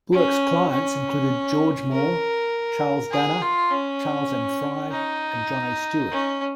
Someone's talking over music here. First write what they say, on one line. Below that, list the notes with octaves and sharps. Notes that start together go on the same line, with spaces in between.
Buek's clients included George Moore, Charles Dana, Charles M. Fry and John A. Stewart.
C#4
C#4
A#4
G#4
F4
C#4
D#4
C#4